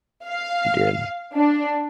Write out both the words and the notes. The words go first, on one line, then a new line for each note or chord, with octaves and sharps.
It did,
F5
D4